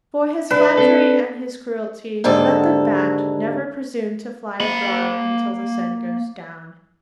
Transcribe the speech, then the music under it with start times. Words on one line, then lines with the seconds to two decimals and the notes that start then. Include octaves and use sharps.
"For his flattery and his cruelty let the Bat never presume to fly abroad until the sun goes down," he cried.
0.51 C2 D4 B4
0.77 C4 D4 A4
2.24 D#2 G#2 D3 A4
4.60 A#3 B5